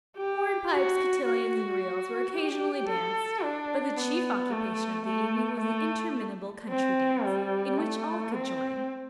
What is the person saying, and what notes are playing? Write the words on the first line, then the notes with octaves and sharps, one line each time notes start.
Hornpipes, cotillons, and reels, were occasionally danced; but the chief occupation of the evening was the interminable country dance, in which all could join.
G4
F#4
F#4
G4
A4
D4
B3
A3
A3
A3
C4
G3
A3
C4